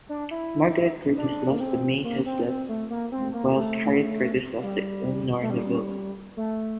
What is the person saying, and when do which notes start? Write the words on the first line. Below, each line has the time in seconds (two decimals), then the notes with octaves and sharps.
Margaret Curtis lost to May Hezlet while Harriot Curtis lost to Elinor Neville.
0.09 D4
0.31 E4
1.17 D4
1.50 A#3
1.61 C4
2.04 A#3
2.26 C4
2.47 C4
2.69 A3
2.90 A#3
3.12 C4
3.34 A#3
3.55 A3
4.63 G3
5.42 A3
5.50 G3
6.37 A3